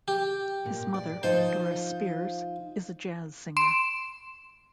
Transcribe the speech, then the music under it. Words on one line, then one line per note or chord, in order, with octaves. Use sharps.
His mother, Doris Spears, is a jazz singer.
G4
A#2
D5
F3 D#4 F4 C5
C6 D7 E7